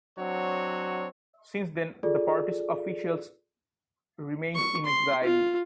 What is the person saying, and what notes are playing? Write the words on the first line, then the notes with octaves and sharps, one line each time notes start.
Since then, the party's officials remained in exile.
F#3 C4 D4 F#4 C#5
F4 G#4 A4 D5
C#6
C6
F4